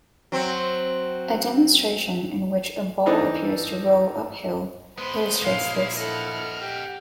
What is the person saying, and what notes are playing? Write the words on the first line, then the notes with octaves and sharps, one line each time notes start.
A demonstration in which a ball appears to roll uphill illustrates this.
F#3 C4
E3 C4 D4 D#4 A4 C5
G#3 B3 B4 C5 C6
A#1 G#3 E4 F5
E4 A4 D#5 F#5 F6
G4